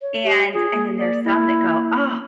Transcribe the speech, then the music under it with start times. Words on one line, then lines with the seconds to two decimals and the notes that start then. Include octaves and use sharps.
and and then there's some that go, "Oh,
0.02 C#5
0.24 G4
0.53 F4 G#4
0.73 A#3
0.98 D5
1.25 E4